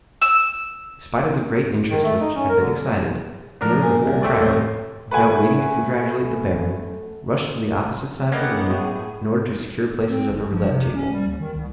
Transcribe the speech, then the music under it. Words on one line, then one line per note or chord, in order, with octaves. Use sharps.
In spite of the great interest which had been excited, nearly the whole crowd, without waiting to congratulate the baron, rushed to the opposite side of the room in order to secure places at the roulette table.
E6
D#3
A3
D#4
C#4
A#4
D3
F3 D4 A#4
A#2
C2
A3 C4 D5
A2 C3
A3 B4 F#5 G#5
F#3 G#3 A#3 B3 G4 F#5
A2 G#4
C4
G1
F3
C3
C#4
G3
D#2
D#3
C2